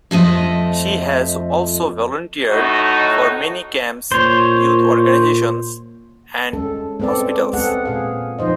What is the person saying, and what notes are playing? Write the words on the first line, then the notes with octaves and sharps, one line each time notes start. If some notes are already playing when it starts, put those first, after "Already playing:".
She has also volunteered for many camps, youth organizations, and hospitals.
F2 F3 A3 D#5
A2 D#4 F#4
A#2 C5 C#5
G#3 C#4 A4
G#3 B3 C4 A4 D5
G#3 B3 C4 G#4 A4 F#5
A#2 G#4 F5
F3 D#4 C5 D#5